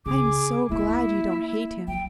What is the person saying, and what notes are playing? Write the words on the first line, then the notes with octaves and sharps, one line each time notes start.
"I am so glad you don't hate him."
C#3 G#4 D6
A3 A#3 E4
F#3 G5